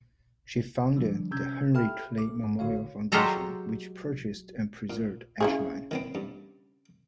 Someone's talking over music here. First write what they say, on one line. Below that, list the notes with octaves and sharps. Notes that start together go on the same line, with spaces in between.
She founded the Henry Clay Memorial Foundation, which purchased and preserved Ashland.
D3 F3 G3 D4
C3 C#4 E6 G6 G#6
G4 A4 E5 G5 B5 F6
A3 A4 D6
G#2
G#1 D3 F#4 C#5 F5
F#3 G#3 F4 G4 A4 A#5
A#2
G#2 C#3 E4 G#4
D#3 B3 C4
G2